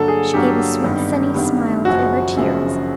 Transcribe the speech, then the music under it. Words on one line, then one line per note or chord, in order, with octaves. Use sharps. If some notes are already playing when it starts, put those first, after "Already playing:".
She gave a sweet, sunny smile through her tears.
Already playing: G2 D3 F#3 A#3 A4
G#4
G2 D3 F#3 A#3 G4
G#1 G2 D#3 G3 B3
G#1 G2 D#3 G3 B3
F#1 F#2 C#3 F3 F#4
F#1 F#2 C#3 F3